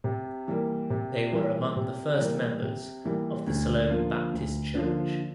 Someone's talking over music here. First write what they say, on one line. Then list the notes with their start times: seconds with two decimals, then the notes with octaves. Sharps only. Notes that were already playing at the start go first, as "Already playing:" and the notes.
They were among the first members of the Siloam Baptist Church.
0.04 C3
0.48 E3 G3 A#3
0.90 C3
1.32 E3 G3 A#3
1.76 C3
2.18 E3 G3 A#3
2.62 C3
3.05 E3 G3 A#3
3.47 D2
3.90 D3 F3 A#3 F4
4.33 D2
4.75 D3 F3 A#3 F4